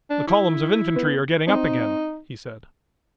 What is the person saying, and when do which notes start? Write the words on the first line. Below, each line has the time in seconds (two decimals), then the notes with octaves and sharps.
"The columns of infantry are getting up again," he said.
0.10 D4
0.27 E4
0.96 B3
1.47 C4 D#4